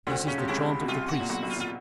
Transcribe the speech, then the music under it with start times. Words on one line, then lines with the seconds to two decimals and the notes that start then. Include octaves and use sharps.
This is the chaunt of the Priests.
0.07 D2 D3 C4
0.27 C#3 C#4
0.38 C3
0.48 C#2 C#3 E4
0.81 B2
0.88 C2 C3 F4
1.08 F#4
1.20 A#2
1.29 B1 B2 F#4
1.43 B1 B2
1.50 F4
1.56 A#2
1.60 F4